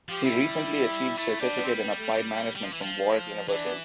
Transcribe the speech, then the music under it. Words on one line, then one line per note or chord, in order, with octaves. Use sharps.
He recently achieved Certificate in Applied Management from Warwick University.
F3 G4
G3 E4
A3 E4
G3 D4
B3
C4
B3
A3
G3
F3
E3
F3
E3 D4
B3